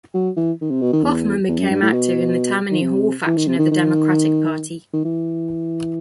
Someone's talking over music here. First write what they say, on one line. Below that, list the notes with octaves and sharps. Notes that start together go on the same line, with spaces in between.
Hoffman became active in the Tammany Hall faction of the Democratic Party.
F#3
E3
D#3
C3
B2
D#3
E2
E2
F#2
G2
A2
B2
D#3
C3
E3
D#3
C3
D#3
D#3
D#3
E3